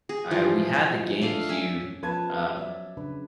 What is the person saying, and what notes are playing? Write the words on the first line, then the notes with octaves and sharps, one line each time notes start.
I we had the GameCube, uh
G#4
E3 F3
A3 D4 F5
E5 G#5
C#4
F3 B3 B4 A5 G#6
F#3 D5 E5
C#3 D4 B4